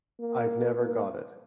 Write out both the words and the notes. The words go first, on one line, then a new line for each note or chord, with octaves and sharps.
I’ve never got it.
A#3
A#3